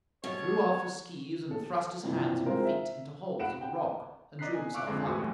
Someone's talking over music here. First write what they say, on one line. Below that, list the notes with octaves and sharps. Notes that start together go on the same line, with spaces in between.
He threw off his skees and thrust his hands and feet into holes of the rock and drew himself up.
B2 C#5
A4
G2 C3 E3 F3
G#3 C4 F4 A#4 C5
E5
F#5 B5 D7 E7
G5
D5 D#5 A#5 F#6 B6 C7
G#5
F5 C#6 D6 E6 F#6 D7
F2 D3 G#3 C4
E2 A2 E3 F#4 G4 G#5
C#2 F#2 A3